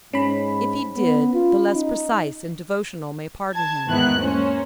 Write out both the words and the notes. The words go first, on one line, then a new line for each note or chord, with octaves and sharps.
If he did, the less precise and devotional may pardon him.
G#2 C#4 B5
B3
F4
D#4
A5 G#6
E2 G#2 D#3 B3 E4 F#6
A#3 C#4 C5